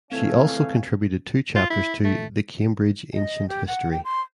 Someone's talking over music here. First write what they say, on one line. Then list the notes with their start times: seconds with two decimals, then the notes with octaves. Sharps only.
She also contributed two chapters to "The Cambridge Ancient History".
0.12 C#2 E3 A3 C4 C#4 F5 G#6
1.56 F4
1.70 E4
2.04 A3
3.14 D#5
3.49 G4
3.67 F#5
3.91 G5
4.05 C6